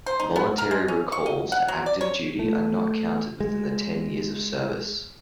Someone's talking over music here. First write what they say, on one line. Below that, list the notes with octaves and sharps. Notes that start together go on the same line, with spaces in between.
Voluntary recalls to active duty are not counted within the ten years of service.
C5
D#4
B3
A#4
G#3
C#4
C#6
D#5
F#5
F#3
D5
C#5
A3
G#3